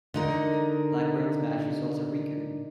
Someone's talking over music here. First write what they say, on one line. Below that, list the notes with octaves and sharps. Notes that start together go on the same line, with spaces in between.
Blackburne's match results are weaker.
D3 D#4 A#4